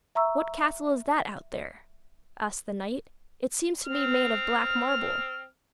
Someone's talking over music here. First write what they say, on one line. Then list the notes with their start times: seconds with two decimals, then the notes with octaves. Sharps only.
'What castle is that out there,' asked the knight; 'it seems to be made of black marble?'
0.15 E5 A#5 C#6 E6
3.85 C4 F6